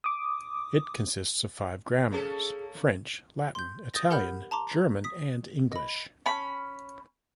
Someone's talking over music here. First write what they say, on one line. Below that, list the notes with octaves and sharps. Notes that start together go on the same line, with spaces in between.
It consisted of five grammars: French, Latin, Italian, German, and English.
D6 D#6
A#3 C#4 G#4 A4
C6 G6
D#6 G6 A6 A#6
G4 A#4 F#5 B5 F6 G6
A5 A#5 C6 D6
D#6 B6
D#5 B5
C#4 B5